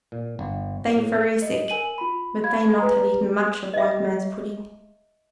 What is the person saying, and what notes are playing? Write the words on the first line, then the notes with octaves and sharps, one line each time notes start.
They very sick, but they not had eat much of white man's pudding.
A#2
G1
A2
D#5
A#4 G#5 D#7 F#7
F4 B5
F5 B5 G#6
B4 A#5
D#5 E5